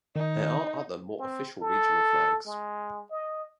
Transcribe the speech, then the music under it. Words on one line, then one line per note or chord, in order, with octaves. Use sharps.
There are other more official regional flags.
D#3 D#4
C4
A4
G#3
D#5